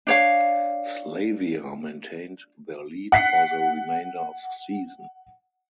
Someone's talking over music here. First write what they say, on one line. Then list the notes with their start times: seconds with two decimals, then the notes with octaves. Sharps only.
Slavia maintained their lead for the remainder of the season.
0.07 D4 C#5 F5
3.12 F#5 B6 C7